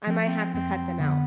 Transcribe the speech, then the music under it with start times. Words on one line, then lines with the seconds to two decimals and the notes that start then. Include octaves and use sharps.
I might have to cut them out
0.07 F3 C4
0.26 C4
0.54 F2 C4
0.99 D3 B3